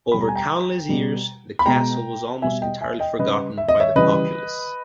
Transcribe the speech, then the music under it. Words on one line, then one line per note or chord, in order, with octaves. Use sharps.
Over countless years, the castle was almost entirely forgotten by the populace.
B2 G3 B5
A#5
G#5
G5 A#5
B2 G3
B5
B2 G#3 G5 A#5
B2 G3 E5 G#5
D#5 G5
E5 G#5
D#5 G5
C#3 G3 B4 D#5
E5
D#5
C#5 E5
C#3 E3 G3 B4 D#5